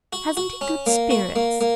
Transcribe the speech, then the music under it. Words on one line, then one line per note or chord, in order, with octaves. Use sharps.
"Hasn't he good spirits?"
F#4
F#4
C#4
A#3
F#4
A#3
A#3